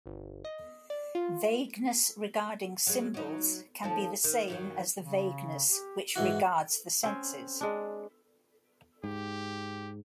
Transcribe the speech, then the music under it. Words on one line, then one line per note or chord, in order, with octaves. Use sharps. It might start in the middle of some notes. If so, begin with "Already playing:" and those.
Vagueness regarding symbols can be the same as the vagueness which regards the senses.
G1
D#5
D5
F4
F#3 G#3
F#3 D#4
D#2 F3 A4
D#3
F#2 D#3 F#3
C#3
G4
G#2 E3 E4 F#4
C4 C#4 C5
G#3 D4
G#2 G4